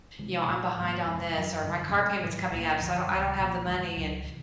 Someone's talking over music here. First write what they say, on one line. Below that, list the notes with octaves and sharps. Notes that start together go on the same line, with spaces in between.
you know, I'm behind on this," or "My car payment's coming up, so I don't I don't have the money," and,
C3 E3 G#3
A#2 F#3 A3
G#2 D#3 G3 A#3
F2 C3 F3 G#3
F#2 D#3 F#3
F#2 D3 G3
B2 G#3 C#4
G#2 D#3 F#3 A3
C2 A#2 G3 A#3
F#2 D3 F3
C#2 C3 D#3 G3
C2 A#2 F3 A#3
F#2 D#3 G#3
C#2 C#3 F#3
C3 E3